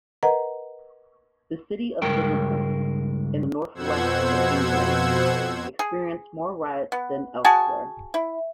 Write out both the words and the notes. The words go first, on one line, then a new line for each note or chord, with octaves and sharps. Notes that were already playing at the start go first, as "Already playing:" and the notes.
The city of Liverpool, in the northwest of England, experienced more riots than elsewhere.
A#4 B4 D#5 F#5 A#5
C#2 G2 G#3 A#4 G5
F2 B2 C5 F#5 E6 G#6
G#4
B3
F#4 G#4 G#5 A5
E4